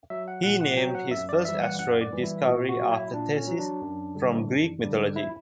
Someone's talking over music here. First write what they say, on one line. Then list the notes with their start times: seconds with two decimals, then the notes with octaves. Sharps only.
He named his first asteroid discovery after Thetis from Greek mythology.
0.10 F#3 E5
0.28 F#5
0.44 A#2 F#5
0.61 F#5
0.77 F#3 G5
0.95 F#5
1.11 F#2 E5
1.29 D5
1.45 E3 G3 E5
1.62 F#5
1.79 F#2 F#5
2.01 D5
2.12 E3 G3
2.24 E4
2.46 A#2 F#4
2.69 F#4
2.80 F#3
2.91 E4
3.14 A#2 D4
3.36 C#4
3.47 F#3
3.59 D4
3.82 F#2
4.15 D3 G3
4.49 F#2
4.83 D3 G3
5.16 E4